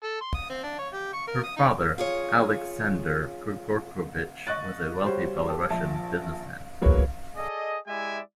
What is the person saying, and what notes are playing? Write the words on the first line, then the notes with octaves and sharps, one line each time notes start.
Her father, Aleksandr Grigorovich, was a wealthy Belarusian businessman.
A4
C6
D#6
C4
D4
C#5
G4
C#6
A#4
D#6
D#4
F4 G#4 C#5
D#5 C#6 F#6 A6
G3 F#4 C5 C#5
G4 A4
A#1 F3 E5 A5
E3 F#3 A#3 B3 G#4 C#5
G#4 A4 D5 D#5
G#3 E4 G4 D5 E5 G#5